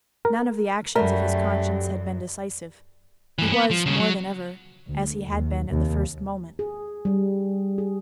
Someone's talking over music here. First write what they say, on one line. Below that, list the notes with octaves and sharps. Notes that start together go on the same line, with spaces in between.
None of the actions of his conscience had been decisive. He was, more than ever, as he had been at the first moment.
A#4
F#2 G3 A3 F#4 A#4
G2 E3
B3
F3
D#2 C#3
F#3
D2
D#2
D#2 C3
G#4
G3
G#4